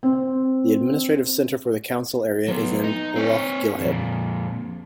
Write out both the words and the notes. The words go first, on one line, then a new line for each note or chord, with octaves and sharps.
The administrative centre for the council area is in Lochgilphead.
C4
F#3 B3
D#4
C4 C#5
F2 A#2